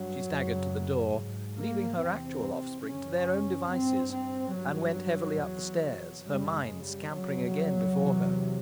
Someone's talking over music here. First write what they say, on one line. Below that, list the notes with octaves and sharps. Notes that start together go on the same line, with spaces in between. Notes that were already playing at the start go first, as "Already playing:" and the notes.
She staggered to the door, leaving her actual offspring to their own devices, and went heavily up the stairs, her mind scampering again before her....
Already playing: G2 F#3
F#2 C#3
G#2
A#3
E2 C3 C4
F#2 C#3 C#4
G2 C4
C4
G2 F#3
E2 B2
F#2 C#3 G3
G#3
G3
F2 C#3 F#3
E2 C3